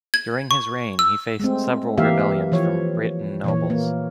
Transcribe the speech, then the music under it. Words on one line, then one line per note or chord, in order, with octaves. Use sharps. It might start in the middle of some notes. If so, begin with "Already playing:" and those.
During his reign he faced several rebellions from Breton nobles.
G#6
C#6
E6
G#3 A3 C4
E3 A#3 G4 E5 F5
E3 F3 C#5
A#2 E3 C#5
A#3